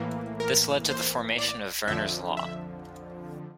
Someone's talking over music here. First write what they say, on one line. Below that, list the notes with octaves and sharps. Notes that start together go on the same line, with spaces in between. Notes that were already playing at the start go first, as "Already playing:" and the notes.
This led to the formation of Verner's Law.
Already playing: A2 E3 A#3
A#4
C5
D5
F2 D3 F3 E5
E5